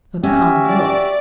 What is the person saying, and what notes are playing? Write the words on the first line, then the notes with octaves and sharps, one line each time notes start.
But, come--look!
C#4 F#4 G4 E5
D5